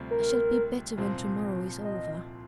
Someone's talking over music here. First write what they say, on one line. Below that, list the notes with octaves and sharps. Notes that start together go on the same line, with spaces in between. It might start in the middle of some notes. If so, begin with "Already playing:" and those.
'I shall be better when to-morrow is over.'
Already playing: D2 C3 G3 C4 F4
A#4
C2 A#2 F3 C4
D#5